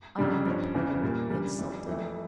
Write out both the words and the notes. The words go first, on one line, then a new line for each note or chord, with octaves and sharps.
Ah, the poor, the insulted!...
F2 C#3 G3 D4
G2 F3 C#4
E2 C#3 E3
A#2 G3 A#3
C#3 G3 D4
F2 E3 G3
F2 E3 A3